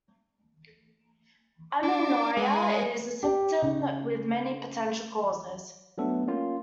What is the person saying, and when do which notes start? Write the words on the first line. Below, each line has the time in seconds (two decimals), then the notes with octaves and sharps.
Amenorrhoea is a symptom with many potential causes.
1.83 D4
2.37 G#3
3.23 G4
3.62 C#3
5.98 F#3 A3 B3 D4 A4
6.28 A#3 C#4 F4